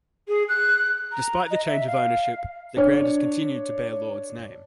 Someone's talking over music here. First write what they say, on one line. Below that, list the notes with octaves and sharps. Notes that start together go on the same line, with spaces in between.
Despite the change of ownership, the ground has continued to bear Lord's name.
G#4
F#6
A#5
D#5
E5
F5
D4 C#5